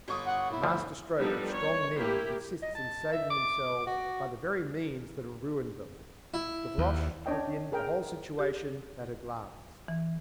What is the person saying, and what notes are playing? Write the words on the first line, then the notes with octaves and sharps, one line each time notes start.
The master-stroke of strong men consists in saving themselves by the very means that have ruined them; Gavroche took in the whole situation at a glance.
G1 C#6 D#6
F#5
E4
D2 F3
F3 G3 B3 D4 D#4 A4
C#5
A#3 E4 G4
D#5
A5
E5
D6
F#4
E4
D#2
C#4 D4 C#5 D#5 G5
G#4 A#4 G5
G4
E3